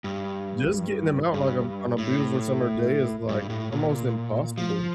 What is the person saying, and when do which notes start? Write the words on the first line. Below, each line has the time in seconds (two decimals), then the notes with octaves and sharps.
just getting 'em out, like, on on a beautiful summer day is, like, almost impossible,
0.04 G2
1.34 G2
1.98 A2
3.29 G2
3.50 A2
3.72 A#2
4.58 F3